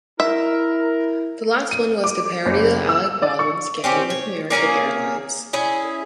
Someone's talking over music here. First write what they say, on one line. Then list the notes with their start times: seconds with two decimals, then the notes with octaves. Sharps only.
The last one was to parody the Alec Baldwin scandal with American Airlines.
0.20 E4 A#4 E5
1.71 D#7
2.04 D6
2.45 F#1
2.89 E6
3.22 D5
3.39 C#6
3.84 C4 C#4 G4
4.10 C#5
4.50 A#3 C#4 G#4 A#4
5.53 C#4 E4 G#4